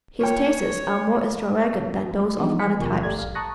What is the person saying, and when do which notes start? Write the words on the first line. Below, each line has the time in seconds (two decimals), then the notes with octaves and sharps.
His tastes are more extravagant than those of other types.
0.21 A#3 C#5 G5
2.38 E3 F3 G#3 B3 D4 D#4
2.59 G#5 B6 C#7
2.80 D#2 B2 F3 A#4 C#6
3.03 G1 A3 G4 A4 D5 G#6
3.18 A#1 F5
3.35 A5 A#5 C#6 D#6 F#6 A#6